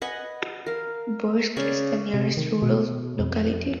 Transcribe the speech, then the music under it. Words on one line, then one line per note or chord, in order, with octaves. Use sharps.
Birsk is the nearest rural locality.
B4 D#5 F#5 G#5
A#4 F5
C#3 D5 G#5
C3
D#3
B2
F2